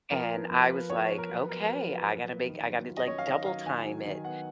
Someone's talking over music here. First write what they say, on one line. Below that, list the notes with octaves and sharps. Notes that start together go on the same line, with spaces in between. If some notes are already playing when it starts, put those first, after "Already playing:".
And I was like, "Okay, I gotta make I gotta like double time it,"
F3 A#4
B3
F3
F4 B4
F3 C#5
B3
A#4
F#3 B4
B3 A#4
F#3 B4
F4
F#3
B3
D#3
F#3
F4
D#5
C#4 C#5
F5
D#3 D#5
F#3 F5
D#3 G#5
F#3
D#3
B3 F#5